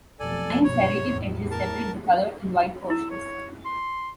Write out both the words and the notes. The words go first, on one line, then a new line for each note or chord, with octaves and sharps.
Nine serrated edges separate the colored and white portions.
F1 B1 A4 D5 G#5
F#1 G2 B2 C#5
E2 A2
A#4 A5
E4 E6
C#5
C6